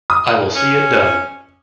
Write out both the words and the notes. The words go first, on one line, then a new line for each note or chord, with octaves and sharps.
I will see it done.
D#6
C#4